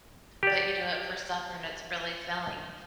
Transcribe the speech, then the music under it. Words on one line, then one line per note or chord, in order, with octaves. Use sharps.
but you do it for supper and it's really filling.
G4 D5